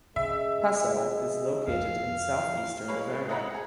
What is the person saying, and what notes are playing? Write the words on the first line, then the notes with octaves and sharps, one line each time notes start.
Passau is located in southeastern Bavaria.
C#3 G#3 E5
F2 F5
G#3 A#3 B4 C#5
D#5 E5 F#5 A#5 B5
G#4 F#5